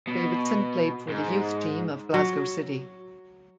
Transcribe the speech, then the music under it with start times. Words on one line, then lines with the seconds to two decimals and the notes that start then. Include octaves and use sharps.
Davidson played for the youth team of Glasgow City.
0.08 B2
1.08 G#2
2.14 F#3